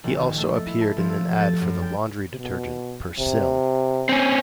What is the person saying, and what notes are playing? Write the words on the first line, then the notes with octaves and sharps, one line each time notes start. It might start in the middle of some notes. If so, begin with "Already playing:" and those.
He also appeared in an ad for the laundry detergent Persil.
A#1
D#3
A3
A4
E4
A5
F3
A4
G4
A6
F#2
G5
B2
C3
C4 C#4